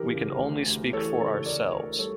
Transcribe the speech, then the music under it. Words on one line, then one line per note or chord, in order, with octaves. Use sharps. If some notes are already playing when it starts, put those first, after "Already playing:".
We can only speak for ourselves.
Already playing: E3 G4 A#4
C#3
D2
D2
E3 A4 C#5
C#3
D2 A#4 D5
D2 A#4 D5
G3 A4 C#5